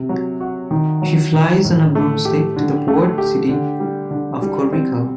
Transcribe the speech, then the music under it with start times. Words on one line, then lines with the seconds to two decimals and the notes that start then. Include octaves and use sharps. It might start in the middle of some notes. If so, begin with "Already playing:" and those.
She flies on her broomstick to the port city of Koriko.
Already playing: C3
0.09 F#3
0.41 F#4
0.71 D#3
1.02 F#3
1.34 D#3
1.65 A2
1.95 A3
2.25 G4
2.56 D3
2.88 A3
3.18 G4
3.49 D3
3.80 G3
4.11 D3
4.42 G3
4.73 C4